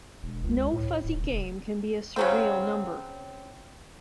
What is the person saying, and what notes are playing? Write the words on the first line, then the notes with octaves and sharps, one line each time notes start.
No fuzzy game can be a surreal number.
E1
C#2
A2
D#1
F1
C#3 F#3 C4